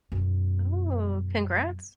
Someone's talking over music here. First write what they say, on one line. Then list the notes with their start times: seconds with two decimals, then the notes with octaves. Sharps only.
Ooh, congrats.
0.12 F#2 B2